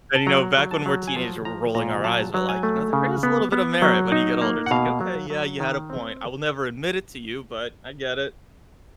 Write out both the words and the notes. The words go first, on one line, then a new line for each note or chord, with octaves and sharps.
And, you know, back when we're teenagers, we're rolling our eyes but, like, you know, there is a little bit of merit when you get older, it's, like, "Okay, yeah, you had a point. I will never admit it to you, but I get it."
A5
F#3 A#5
F#3
A5
F#3
G#5
F3 A5
F3 A#5
A#2 A#5
F#3 A5
F#3
G#5
A3
C#3
B3
B3
F#3
D#4
A#3
F#5
B2 F5
F#3
F#3
D#3
C4